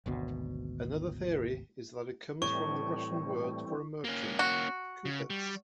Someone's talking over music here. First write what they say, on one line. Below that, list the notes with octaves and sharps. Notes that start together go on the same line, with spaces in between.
Another theory is that it comes from the Russian word for a merchant, "kupets".
G#1 D2 B2
A2 E3 G3 C4 C#6
A#3 C#4
F#4
C#3
G3